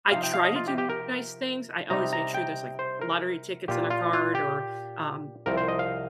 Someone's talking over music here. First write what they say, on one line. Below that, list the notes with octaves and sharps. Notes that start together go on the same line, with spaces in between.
I try to do nice things. I always make sure there's like lottery tickets in a card or, um,
C3 F3 D#4 F5
G5
F5
D#5
F4
G4
G4
A#4
C3 G3 D#4 A#5
A#5
G5
C5
A#4
A#2 A#3 F4 G4
F4
F4
G4
C2 C3 F3 C4 A#4
C5
D#5
F5